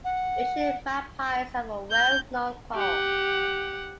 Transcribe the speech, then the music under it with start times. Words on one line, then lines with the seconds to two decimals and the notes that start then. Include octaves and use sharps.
Eurasian magpies have a well-known call.
0.04 F#5
1.91 G6
2.74 G4 F#5